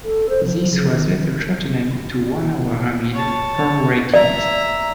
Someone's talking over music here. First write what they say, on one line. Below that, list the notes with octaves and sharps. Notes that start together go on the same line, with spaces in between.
This was later shortened to one hour amid poor ratings.
A4
C5
F3
C#3
D#3
C#5 A5
D5 E5 A#5